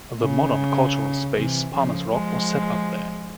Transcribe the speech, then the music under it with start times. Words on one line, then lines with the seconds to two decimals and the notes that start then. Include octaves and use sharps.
The modern cultural space Palmer’s Rock was set up there.
0.21 C#3
1.36 C3 E3
1.74 C#3 F3
2.13 F3 G#3